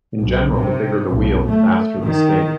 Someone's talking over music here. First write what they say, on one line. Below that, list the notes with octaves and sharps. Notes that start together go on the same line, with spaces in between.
In general, the bigger the wheel, the faster the skate.
B1
C3
B1
A3
D#3